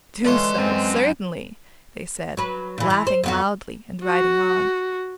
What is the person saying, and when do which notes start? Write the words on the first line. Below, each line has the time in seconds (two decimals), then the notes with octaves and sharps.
'Do so, certainly!' they said, laughing loudly and riding on.
0.25 D3 E3 G#3 F4 C#5 D5 C6
0.58 F#2 C4
2.37 F#3 B4
2.78 A#2 E3
2.90 E3
3.07 C5
3.24 F2 B3 F#4
4.04 F#4